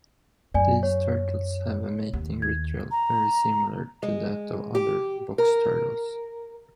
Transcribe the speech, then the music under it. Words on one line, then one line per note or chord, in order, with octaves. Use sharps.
These turtles have a mating ritual very similar to that of other box turtles.
F#2 D5 G#5
C#5
D#2
G#6
A#5
G#3
G4
A#4